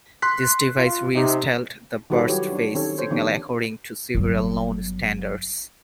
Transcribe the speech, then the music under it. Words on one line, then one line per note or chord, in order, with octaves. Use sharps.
This device reinstalled the burst phase signal according to several known standards.
C6 F#6 B6
F4
C3 D#4
D#3 G3 F#4 A4 B4 C#5
F#3 E4 F#4 G4 C#5
D4 C#5
D#3 C4 C#4 G4 A4 C#5
A4 C5 C#5
D#3 F3 B3 C4 D4 G4
G1 F#3